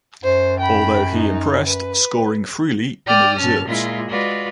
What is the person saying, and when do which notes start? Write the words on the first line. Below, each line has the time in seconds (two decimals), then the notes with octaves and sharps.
Although he impressed, scoring freely in the reserves.
0.23 F#2 C5
0.59 G5 B5
1.15 D#4
1.67 B4
3.06 D5 G5 D6 D#6 F6
3.36 G2 C#4 A5 F6
3.65 A#2 G#3 E4 F4 G#4
4.09 G#3 F4 F#4 B4 D5